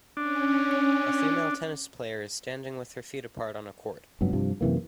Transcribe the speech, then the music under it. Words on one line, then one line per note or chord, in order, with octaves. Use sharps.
A female tennis player is standing with her feet apart on a court.
C#4 D4
F1 G2 F#3 B3
G2 C3 F3
F#2 C3 E3 A#3